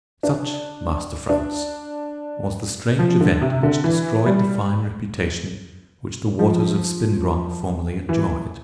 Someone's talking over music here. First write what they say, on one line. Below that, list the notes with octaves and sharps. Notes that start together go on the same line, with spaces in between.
Such, Master Frantz, was the strange event which destroyed the fine reputation which the waters of Spinbronn formerly enjoyed.
D4
D4
F3
D3
C3
D3
E3
G3
F3
E3